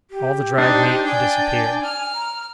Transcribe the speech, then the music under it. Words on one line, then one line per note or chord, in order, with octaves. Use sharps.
All the dried meat had disappeared.
G4
D4 D#4 C5
D5 G5 G#5
F6
A#5